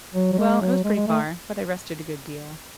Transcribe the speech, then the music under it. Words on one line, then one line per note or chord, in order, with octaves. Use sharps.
"Well, it was pretty far, but I rested a good deal."
F#3
F#3
G#3
F#3
G#3
G#3
A3